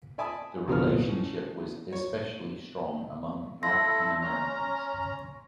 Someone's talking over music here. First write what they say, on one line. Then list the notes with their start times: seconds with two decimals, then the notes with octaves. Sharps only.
The relationship was especially strong among African-Americans.
0.18 D5 E5 G#5 A5 B5 D#6
0.68 C2 F2 B2 D3 B3 F6
1.07 A2 C#4
1.92 C#5
3.63 E4 A4 C6 A#6
4.21 C#4 A#5